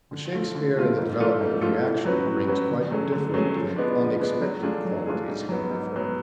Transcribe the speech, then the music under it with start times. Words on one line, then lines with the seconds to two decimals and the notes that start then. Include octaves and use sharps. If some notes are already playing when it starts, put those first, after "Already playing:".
But Shakespeare, in the development of the action, brings quite different and unexpected qualities out of her.
0.11 D3
0.32 F3 A3 F4
0.55 D3
0.76 F3 A3 F4
0.98 G#2
1.18 F3 A3 F4 A4
1.41 G#2
1.61 F3 A3 F4 A4
1.84 A2
2.05 F#3 C#4 F#4 B4
2.27 A2
2.48 F#3 C#4 F#4 B4
2.69 D3
2.91 F#3 A3 C#4 G#4
3.12 D3
3.34 F#3 A3 C#4 G#4
3.56 F3
3.76 G#3 B3 D4
3.99 F3
4.20 G#3 B3 D4
4.41 F#3
4.62 A3 D4 F4 G#4
4.85 F#3
5.06 A3 D4 F4 G#4
5.28 G#2
5.49 F#3 B3
5.70 G#2
5.93 F#3 B3